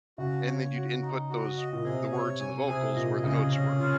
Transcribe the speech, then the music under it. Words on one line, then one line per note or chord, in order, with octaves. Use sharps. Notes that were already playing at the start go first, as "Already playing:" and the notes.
and then you'd input those the words and the vocals where the notes were.
C#3 F#4
C#5
F#4
D#4
F#4
D#5
A#2
C3 G#4
C#5
G#5
C3 G#4
A#2 D#5
C#3 G#4
C#4
F4